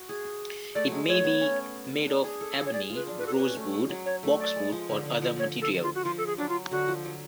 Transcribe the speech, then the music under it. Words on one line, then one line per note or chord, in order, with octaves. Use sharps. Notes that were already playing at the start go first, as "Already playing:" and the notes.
It may be made of ebony, rosewood, boxwood or other material.
Already playing: F#4
G#4
A3 D5
F#3
G#3
A3 C#5
B3
C#4
D4
G#4
A4
G#4
C#5
G#4 D5
F4
B4
D4
B4
F#4 A4
B4
C#4
A3
G#3
F#3
C#5
A3
D5
G#3
F3
D3
D3
F3
C#5
A4
F4
F#4
F3 F4
A4
G#4
F#3 D4
F4
D3 F#4
F3
F#3